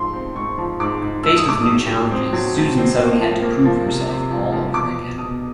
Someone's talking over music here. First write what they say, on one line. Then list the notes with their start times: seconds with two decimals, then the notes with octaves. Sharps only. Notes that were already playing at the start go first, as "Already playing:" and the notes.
Faced with new challenges, Susan suddenly had to prove herself all over again.
Already playing: G#2 F3 A3 C6
0.13 C4
0.35 G#2 C#6
0.58 F3
0.80 G#2 D6
1.02 G#2
1.23 A3 E6
1.36 D#6
1.45 A2 D6
1.62 D#6
1.68 F#3
1.89 A2
2.11 C4
2.33 F#3
2.56 A2
2.77 C4
2.99 A#3
3.21 F3
3.42 A#3
3.65 F3
3.86 C3
4.08 C3
4.30 F3
4.52 F3
4.74 B2 D6
4.96 B2
5.18 B2 D#6